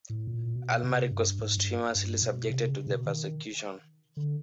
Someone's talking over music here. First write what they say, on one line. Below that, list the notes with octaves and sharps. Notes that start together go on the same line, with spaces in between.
Almaric was posthumously subjected to the persecution.
A2
A#2
B2
C3
G2
G#2
G2
G2
B2
C3
C#3
B2
D#3
D3